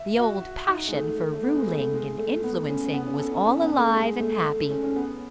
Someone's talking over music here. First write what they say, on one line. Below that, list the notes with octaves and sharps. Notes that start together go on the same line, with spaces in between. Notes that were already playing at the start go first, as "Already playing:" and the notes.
The old passion for ruling and influencing was all alive and happy.
Already playing: E5
F#4
F#4
D#4
G#3
A3
A3
A3
B3
G#3
A3
A3
G#3
A3
B3
C#4
B3
C#4
A4
C#4
C#4
B3
A3
G#3
A3
A3
C#4
C#4
B3